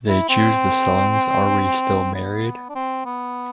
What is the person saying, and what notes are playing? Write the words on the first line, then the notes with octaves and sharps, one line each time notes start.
They choose the songs Are We Still Married?
E4
C4
B3
D4
C4
B3